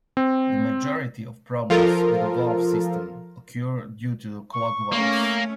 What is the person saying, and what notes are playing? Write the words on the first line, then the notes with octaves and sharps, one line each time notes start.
The majority of problems with the valve system occur due to clogged valves.
C4
F3 F4 A4 A#4
C#6
A3 A#3 C#4